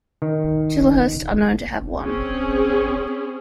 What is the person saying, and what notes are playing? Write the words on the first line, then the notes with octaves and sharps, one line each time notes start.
Chislehurst are known to have won.
D#3
C4 C#4 G#4